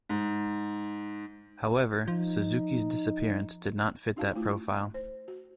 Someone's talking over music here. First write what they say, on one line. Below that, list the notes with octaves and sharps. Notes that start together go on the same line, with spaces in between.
However, Suzuki's disappearance did not fit that profile.
G#2
F3 D#4
C#4 D#4 F#4 F5 A5
A3 E4 F4
C5
F#4